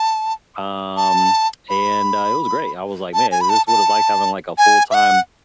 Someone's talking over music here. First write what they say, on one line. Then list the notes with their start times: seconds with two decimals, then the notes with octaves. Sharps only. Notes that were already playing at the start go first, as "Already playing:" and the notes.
um, and, uh, it was great. I was like: "Man, is this what it's like having, like, a full-time
Already playing: A5
0.97 A5
1.69 B5
3.14 A5
3.32 G#5
3.41 B5
3.49 A5
3.67 A5
4.58 G#5
4.91 E5
4.94 F#5